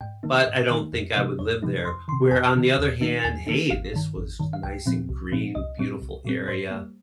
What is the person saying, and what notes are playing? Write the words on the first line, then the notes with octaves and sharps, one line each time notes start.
but I don't think I would live there." Where on the other hand, "Hey, this was nice and green, beautiful area.
G#2 G5
D#3 A#3 D#4
G#2 D#5
D#3 A#3 D#4
F2
C3 F3 G#3 D#4
F2 C#5
C3 F3 G#3 D#4
F2 C6
C3 D#3 C6
F2 G#5
C3 D#3
D#2
D#3 A#3 D#4
D#2 G#5
D#3 A#3 D#4
G#1 F5
G2 D#3
G#1
G2 D#3
F5
C2 G5
A#2 F3 C4
C2
A#2 F3 C4
C2 D#5
A#2 G3 C4
C2
A#2 G3 C4
G#2 C5
A#3
G3